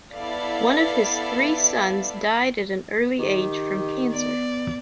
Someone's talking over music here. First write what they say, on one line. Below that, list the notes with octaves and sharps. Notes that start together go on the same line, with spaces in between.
One of his three sons died at an early age from cancer.
B3 E4 A4 D5 F5
D#3 G4
B3 D5